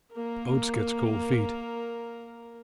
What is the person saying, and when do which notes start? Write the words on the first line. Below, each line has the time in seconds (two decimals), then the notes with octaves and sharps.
Oates gets cold feet.
0.12 A#3 A#4